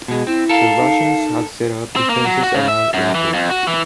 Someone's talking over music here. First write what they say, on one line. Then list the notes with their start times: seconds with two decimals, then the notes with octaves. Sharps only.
The Russians had set up defences around Lapua.
0.08 B2 G#3
0.27 C4 E4
0.49 A4 A#4 F5
0.80 D#4
1.96 C4
2.10 A#3
2.25 F#3
2.43 F#4
2.55 C#3
2.68 E5
2.94 F#2
3.15 E3
3.34 F2
3.50 F#4
3.67 E3